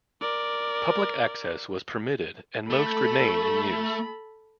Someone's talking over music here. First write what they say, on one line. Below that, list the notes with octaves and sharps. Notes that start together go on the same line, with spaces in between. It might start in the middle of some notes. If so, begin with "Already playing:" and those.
Public access was permitted and most remain in use.
A#4 D5
A3 A4 B5